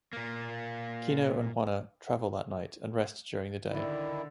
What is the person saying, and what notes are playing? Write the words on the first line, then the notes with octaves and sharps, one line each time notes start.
Kino and Juana travel that night, and rest during the day.
A#2 A#3
D3 D#3 D4 E4